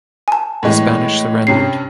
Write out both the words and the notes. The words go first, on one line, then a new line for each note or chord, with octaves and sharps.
The Spanish surrendered.
G#5 A5
A2 E3 G#3
G2 C3 C#4 C7